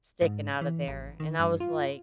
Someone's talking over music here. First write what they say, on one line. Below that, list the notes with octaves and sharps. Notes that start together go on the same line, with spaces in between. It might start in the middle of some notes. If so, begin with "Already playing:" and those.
sticking out of there. And I was like
G#2
E3
A1
D#3
G2
F4